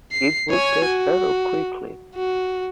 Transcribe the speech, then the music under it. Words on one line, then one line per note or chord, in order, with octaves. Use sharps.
It will get better quickly.
C7
C#5 G#5
F#4
F#4